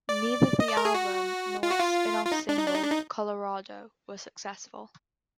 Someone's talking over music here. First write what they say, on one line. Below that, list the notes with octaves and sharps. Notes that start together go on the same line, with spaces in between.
Neither the album nor its spin-off single "Colorado" were successful.
D5
D#5
D5
A#4
G#4
F#4
F4
F#4
F4
F4
D#4
D4
D#4
D4
D#4
D4
D#4